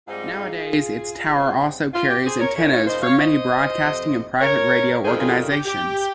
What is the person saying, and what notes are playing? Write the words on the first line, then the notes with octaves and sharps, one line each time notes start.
Nowadays its tower also carries antennas for many broadcasting and private radio organisations.
G#2 G3 C4 D#4 F4 G#4
C#3 G3 C4 D#4
F4
G4
G#4 C5
A#4 C#5
C#3 F3 A#3 D#4 A#4 C#5
C#5 F5
C5 D#5
C#5 F5
C5 D#5
F2 C3 F3
A#4 C#5
F2 D#3 G3 G#4 C5
F4 G#4
G4
G4
G4